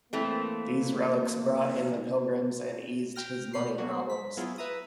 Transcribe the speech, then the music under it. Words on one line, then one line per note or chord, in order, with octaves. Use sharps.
These relics brought in the pilgrims and eased his money problems.
E3 A3 A#3 C4
G5 F6 A#6
B2 B3 B5 C7
F#3 G3 A#3 B3 D4 F#4
B6
F#3 B3 E4 F4 G#4
B4 E5 A#5 D#6